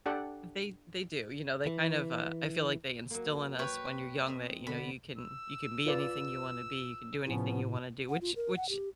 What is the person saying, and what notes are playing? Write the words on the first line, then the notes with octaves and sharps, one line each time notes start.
They they do, you know, they kind of, uh I feel, like, they instill in us when you're young that, you know, you can you can be anything you wanna be, you can do anything you wanna do, which which
D4 G4 A4 D5 F#5
E3
F#3 A#3
B4 C#5 G5
C4 D#5 E5
D3 B3 B5
E6
F4 B4 D5
A2 C3 F3 B3 C#4
F#5
F4
A#4
F#5
G4